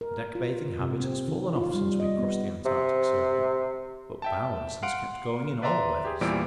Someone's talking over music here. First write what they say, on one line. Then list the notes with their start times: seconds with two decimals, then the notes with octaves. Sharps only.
The deck bathing habit has fallen off since we crossed the Antarctic circle, but Bowers has kept going in all weathers.
0.01 A#4
0.35 F4
0.80 C3
1.00 C4
1.28 D#3
1.56 F4
1.75 G3
2.00 D#5
2.18 B3
2.65 C3
4.22 E5 G5 A5
4.83 F5 F#5 C6 D7
5.62 B4 D5 E5 A#5 C6
6.05 G4 G#4
6.21 E2 A#2 E3 G3 C5 D7